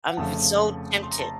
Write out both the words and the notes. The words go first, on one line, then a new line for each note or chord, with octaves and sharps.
I'm so v tempted.
F#5
F1 F2 C#3 F3 A3 A5
C6
A#5
A5